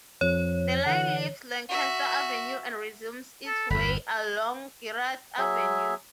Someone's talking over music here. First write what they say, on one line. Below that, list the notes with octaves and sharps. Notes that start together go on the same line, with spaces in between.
The line leaves Lancaster Avenue and resumes its way along Girard Avenue.
F2 F3 C#5
D3 E3 F#5
F#4 E5
A4
G1 E2 B5
F#3 G#4 E5